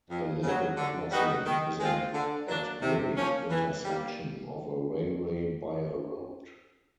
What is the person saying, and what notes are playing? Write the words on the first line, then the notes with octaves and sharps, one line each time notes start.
A level crossing is an at-grade intersection of a railway by a road.
F2
C#3 F#3
D3
G3 B3 D#4 F#4
D#3
G#3 C4 F4
D3
F#3 A#3 D4
C3
F3 A#3 C#4
E3
G3 A#3